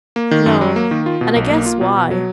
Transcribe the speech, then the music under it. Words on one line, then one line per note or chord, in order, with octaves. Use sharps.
'No; and I guess why.
A#3
D#3
F#2
F#3
A#3
D#3
F4
B2
B1
A#3
F4
B2
B2
F#3